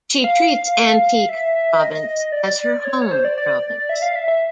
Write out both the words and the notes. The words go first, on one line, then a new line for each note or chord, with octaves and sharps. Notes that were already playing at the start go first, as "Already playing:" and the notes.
She treats Antique province as her home province.
F5
E5
D#5
D5
C#5
C#5
C5
D5
D5
E5
F5
E5
E5